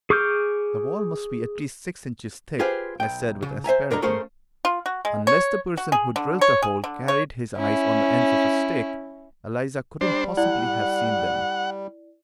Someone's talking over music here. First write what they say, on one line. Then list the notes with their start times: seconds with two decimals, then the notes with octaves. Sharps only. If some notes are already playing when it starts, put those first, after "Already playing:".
"The wall must be at least six inches thick," I said with asperity. "Unless the person who drilled the hole carried his eyes on the ends of a stick, Eliza couldn't possibly have seen them."
0.10 G#4 C#6 D6 F6 G6
2.59 F4 G4 G#4 B4 C5 F5
3.00 B1 G5
3.42 C#3
3.64 C5 E5 G#5 A#5
3.91 D3 A#4 D#5 A#5
4.02 A3 C#4 G#4 A#4 C5 F5
4.65 F4
4.86 F#4
5.05 G#3
5.27 C#5
5.77 F#4
5.92 G#4
6.16 D3
6.41 C#5
6.62 G#4
6.84 D3
7.08 C#5
7.56 C#4 E4
10.01 G3 D4 C5
10.37 E4 D5 F#5